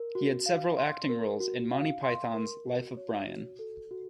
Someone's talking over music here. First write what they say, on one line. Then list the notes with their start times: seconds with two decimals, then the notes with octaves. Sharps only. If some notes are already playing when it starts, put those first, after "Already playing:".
He had several acting roles in "Monty Python's Life of Brian".
Already playing: A#4
0.15 F#4
0.46 F5
0.78 C6
1.09 A#4
1.40 F#4
1.72 F5
2.03 C6
2.34 A#4
2.66 F#4
2.97 C#5
3.28 F#4
3.59 A4
3.91 F#4